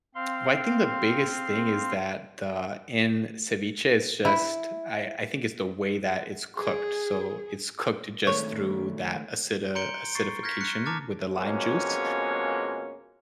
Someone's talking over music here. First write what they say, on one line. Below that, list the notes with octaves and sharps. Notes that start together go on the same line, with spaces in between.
Well, I think the biggest thing is that the in ceviche, it's just I I think it's the way that it's cooked. So, it's cooked just through that acid uh, acidification with the lime juice,
C4 F5 C6
E4
G#4
D#3 G#3 A3 C#5
A#5 C6 G6 C#7 D7 G7
C#6 A6 C7
F6 G6 G#6 A#6 B6
F#6 C#7
A5 A#5 D6 F6 A6
F2 B2 G#3 A#3 C#4